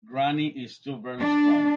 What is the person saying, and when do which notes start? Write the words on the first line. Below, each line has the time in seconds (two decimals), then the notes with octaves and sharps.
Granny is still very strong.
1.18 D4